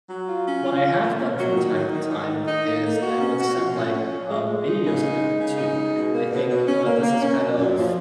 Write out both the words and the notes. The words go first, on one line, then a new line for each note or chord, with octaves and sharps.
What I have done from time to time is I would send, like, a video snippet too. I think, you know, this is kind of
F#3
F4
C#4
F4
C#4
A#2
A#2
F#3
D#3
D#3
D#3
D#3
D#3
D#4
A#3
A#3
F#4
C#4
F#4
F3
C#4
C#4
F3
G#3
G#3
D#4
C#3
D#4
G#3
C#3
D#4
G#3
B2
A#3
B2
B2
C#4
A#3
A#3
C#4
F#2
F#2
F3